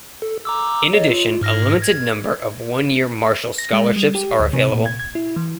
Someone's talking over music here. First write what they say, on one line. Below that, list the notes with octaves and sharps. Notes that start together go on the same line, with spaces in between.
In addition, a limited number of one-year Marshall scholarships are available.
A4
A#5 D6 E6
C#5 D#5
F4
G#2 F6 A#6
G#6
A#6
G#3
G3
G4
D2
C3
A#2
G#6
G#6
E4
E3